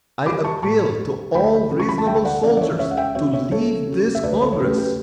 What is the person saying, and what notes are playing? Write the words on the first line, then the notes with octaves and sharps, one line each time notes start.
"I appeal to all reasonable soldiers to leave this Congress!"
G3 B5 D6
A5 C#6
A2 A5 C#6
G3
D2 G5 B5
C#3 E3
C#6
B5
A5
D2 E5 G5
D5 F#5
C#3 E3 D5 F#5
D5
C#5 E5
C#2 C#5 E5
F#5
E5 G5
C#3 F#3 C#5 E5
C#5 E5
C#2 A4 C#5
C#3 F#3
E5
D2 B4 D5
A4 C#5
C#5
C#3 F#3 A3 G4 B4
G4 B4